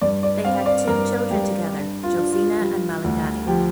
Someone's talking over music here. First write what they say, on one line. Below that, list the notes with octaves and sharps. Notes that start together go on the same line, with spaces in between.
They had two children together: Josina and Malengani.
G2 D5
D5
C4 F5
D5
G2 A#4
G2 G4
D4
F4
D4
F4
G3
D2
F3 G4